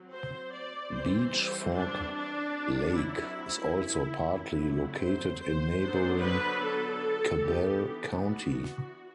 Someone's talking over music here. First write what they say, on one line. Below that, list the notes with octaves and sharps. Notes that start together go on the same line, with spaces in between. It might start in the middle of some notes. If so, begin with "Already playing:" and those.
Beech Fork Lake is also partly located in neighboring Cabell County.
Already playing: F#3 C4
C5
D5
E3 G3 C4 C5
D4
D4
F#3 C4
E4
D3 F#3 C4 E4
C5
C5
D3 F#3 B3 D4 C5
B4
A4
E3 B3 D4 G4
F#4